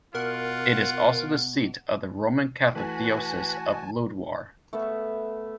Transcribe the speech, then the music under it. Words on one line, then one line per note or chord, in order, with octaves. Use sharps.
It is also the seat of the Roman Catholic Diocese of Lodwar.
B2 F4 A#4 F#5
E3 A3 E4 F#4 B4 G#5 A5
A3 B3 B4 E5